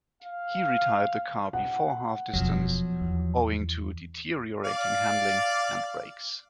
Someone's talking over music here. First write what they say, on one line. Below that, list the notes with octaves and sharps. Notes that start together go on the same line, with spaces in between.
He retired the car before half distance owing to deteriorating handling and brakes.
F5
F#5
D#1 F2 B2 F3 F#3
E2
D5 F5